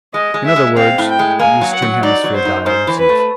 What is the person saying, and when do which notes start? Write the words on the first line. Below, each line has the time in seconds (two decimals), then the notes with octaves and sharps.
In other words, the eastern hemisphere dial was useless.
0.14 G#3 D#5
0.34 G#3
0.45 E5
0.56 G#3
0.77 C4 F5
0.98 A2
1.09 G5
1.19 G#3
1.39 A#3 G#5
1.61 F#3
1.72 F#5
1.82 F#3
2.03 D#4 D5
2.24 F#3
2.35 C5
2.45 D#4
2.66 G#2 C5
2.87 E3
2.98 B4
3.09 A3